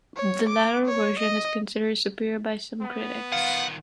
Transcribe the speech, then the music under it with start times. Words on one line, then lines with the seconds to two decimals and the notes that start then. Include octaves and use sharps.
The latter version is considered superior by some critics.
0.17 C#5
0.49 D6
0.86 C#5
1.19 D#5
2.82 B3
3.32 D#3 F4 F5 F#5